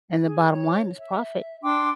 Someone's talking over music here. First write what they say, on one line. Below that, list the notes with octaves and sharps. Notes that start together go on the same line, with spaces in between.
and the bottom line is profit.
G#4
C#5
E5
D4 G5 C6 D6